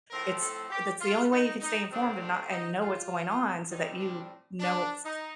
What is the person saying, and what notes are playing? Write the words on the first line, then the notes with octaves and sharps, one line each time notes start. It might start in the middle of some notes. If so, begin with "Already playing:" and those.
it's uh, that's the only way you can stay informed and not and know what's going on so that you know what's
A2 F3 A3 C4 A#4
A4
G4
F4
D#4
D#4
C3 F3 A3 C4 D4
D4
D#4
F4
A2 G3 C4 D#4
D4
D4
D#4